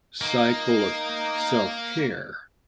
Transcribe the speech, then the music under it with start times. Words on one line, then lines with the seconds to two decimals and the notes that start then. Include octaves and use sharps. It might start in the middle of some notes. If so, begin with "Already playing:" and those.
cycle of self-care
0.21 A#3 D#4